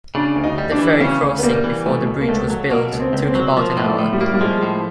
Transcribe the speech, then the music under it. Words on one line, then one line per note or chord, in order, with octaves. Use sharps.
The ferry crossing before the bridge was built took about an hour.
C#3 D4
D2
D#4
G3
D4
E3
C#3 C#4
D2
B3
G3 A#3
E3
B2 A3
C#2
A#3
C#2 A3
F#3
B2 A#3
C#2
C4
C#2
C4
F#3
F3 A#3
A2
A3
A2
G3
A#3
G3
F3 G#3
A2